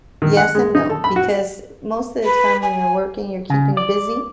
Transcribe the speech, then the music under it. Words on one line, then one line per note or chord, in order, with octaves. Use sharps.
Yes and no, because most of the time when you're working, you're keeping busy,
D#3
F#5
G#3
D#4
A4
B5
F#4
B4
G#5
C#3
D5